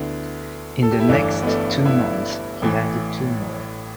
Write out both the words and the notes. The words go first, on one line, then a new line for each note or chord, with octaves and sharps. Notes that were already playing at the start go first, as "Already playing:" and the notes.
In the next two months he added two more.
Already playing: D2 D3 B3 E4
A4
G4
E4
G1 G2 E3 A3 D4
B3
A3 D4
B3 E4
A1 A2 E3